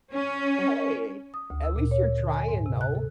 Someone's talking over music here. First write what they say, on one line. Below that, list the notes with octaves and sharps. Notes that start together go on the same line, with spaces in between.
Hey. At least you're trying, though.
C#4
D#6
D2
E6
A#2
C#5
D3
G#5
G#2
C3
F#6
A4